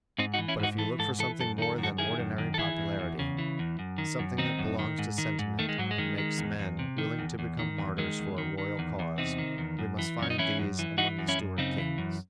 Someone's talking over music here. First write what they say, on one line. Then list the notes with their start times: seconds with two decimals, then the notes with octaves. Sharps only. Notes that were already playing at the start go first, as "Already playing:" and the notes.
But if you look for something more than ordinary popularity--something that belongs to sentiment and makes men willing to become martyrs for a royal cause--we must find these among the Stuart kings.
0.18 G#2 C4 D#4
0.34 D#4 F#4
0.38 E3
0.48 C#4 E4
0.59 G#2 D#4 F#4
0.78 E3 A4
0.99 G#2 A4
1.19 E3 A4
1.39 F#2 A4
1.58 D#3 A4
1.78 F#2
1.83 F#4 A4
1.98 D#3 E4 G#4
2.19 F#2
2.38 D#3
2.54 A4
2.58 E3 E4 G#4
2.78 E2
2.99 E2
3.19 C#3
3.38 E3
3.59 E2
3.79 F#2
3.98 D#3
4.19 F#2
4.38 D#3 C4 D#4
4.59 F#2
4.79 D#3
4.99 G#2
5.18 D#3
5.39 G#2
5.59 D#3 A3
5.69 G#3
5.78 G#2 F#3
5.91 G#3
5.98 D#3
6.18 D#3
6.38 E2
6.59 E2
6.79 C3
6.98 D#3
7.19 E2
7.39 E2
7.59 D#3
7.78 E2
7.98 D#3 G#3
8.19 E2
8.38 D#3
8.58 D#3
8.79 E2
8.99 E2
9.18 C3 C4 D#4
9.38 D#3
9.58 E2
9.79 F#2
9.99 E3
10.19 F#2 C#4
10.30 D#4
10.38 E3 C#4 E4
10.59 F#2
10.79 E3
10.98 E3 D#4 F#4
11.19 F#2
11.29 C#4 E4
11.39 F#2
11.58 C#3 C4 D#4
11.78 E3
11.98 F#2